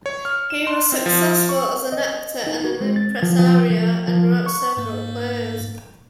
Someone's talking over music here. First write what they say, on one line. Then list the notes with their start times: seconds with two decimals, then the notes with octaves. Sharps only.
He was successful as an actor and as an impresario, and wrote several plays.
0.06 C#5
0.25 F6
0.50 E7
0.67 C6
0.92 C4
1.06 F3
1.49 C#6
1.92 D#5
2.47 D#4
2.64 F#4
2.81 G#3
2.96 A6
3.23 F3
3.39 F3
3.70 F3
4.08 F3
4.46 C#6
4.77 G#2 A#3